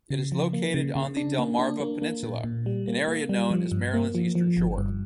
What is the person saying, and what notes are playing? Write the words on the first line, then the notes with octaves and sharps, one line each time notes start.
It is located on the Delmarva Peninsula, an area known as Maryland's Eastern Shore.
C#3
F3
A#3
C#3
C#3
D4
A#3
D4
A#3
A#3
A#2
A#2
G3
A#3
A#3
G3
F3
G2
A#3
F3
F3
G1
G2